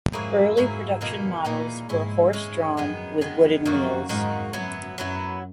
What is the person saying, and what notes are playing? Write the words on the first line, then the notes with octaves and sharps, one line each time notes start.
Early production models were horse-drawn, with wooden wheels.
G#2 F#3 A#3 E4 G#4
G#2 F#3 A#3 E4 G#4
B2 E3 A#3 D#4 G#4
A#2 E3 A#3 D#4 G#4
G#2 G#3 C#4 E4
G#3 C#4 E4
F#2 D#3 G#3 B3
D#3 G#3 B3
F#2 D#3 A#3 D#4 F#4
G#2 D#3 A#3 D#4 F#4
F#2 F#3 B3 E4
F#2 F#3 B3 E4